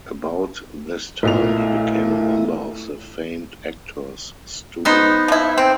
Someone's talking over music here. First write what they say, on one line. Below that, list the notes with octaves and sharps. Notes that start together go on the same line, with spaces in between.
About this time, he became a member of the famed Actors Studio.
B1 A#2 A3 E4 F7
B3 D#4 C5
F3 E4
C4